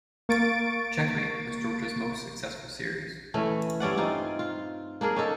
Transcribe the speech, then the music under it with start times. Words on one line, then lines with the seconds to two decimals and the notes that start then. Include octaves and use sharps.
"Checkmate" was George's most successful series.
0.29 A#3 C#6 A6 D7
3.34 E3 A3 C#4
3.80 G2 C#4 D5 F#5
3.97 C4 D#4 F4
4.39 F4
5.01 A#3 D4 G#4 A#4
5.16 C#4 D#4 A4